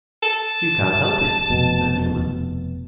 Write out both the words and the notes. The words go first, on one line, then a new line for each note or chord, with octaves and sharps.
'You can't help it,' said Newman.
A5
F1 B2